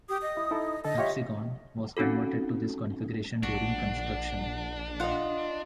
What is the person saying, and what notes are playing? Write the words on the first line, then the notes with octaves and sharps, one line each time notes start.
"Absecon" was converted to this configuration during construction.
G4 D#6
D#5
E4
D#4 E4 A4
D3 A4 D#5 A5
F4 G4 C#5 E5
C4 C#4 D#4 F#4 A4
A#1 D4 F#4
F4 D#5 F5 F#5